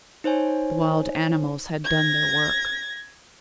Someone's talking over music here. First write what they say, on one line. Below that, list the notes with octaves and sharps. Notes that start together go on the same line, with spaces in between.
The wild animals had done their work.
D#4 C5 C#5 G#5
G#6 A#6